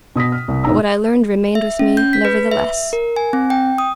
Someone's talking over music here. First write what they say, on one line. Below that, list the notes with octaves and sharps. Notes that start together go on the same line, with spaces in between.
But what I learned remained with me, nevertheless.
B2 D#6 A#6 B6
F6
C2
B1 G#2 A#5 E6
E5
C#4
G6
B6
B4
E5
A#4
G#5
C4
G5
D#6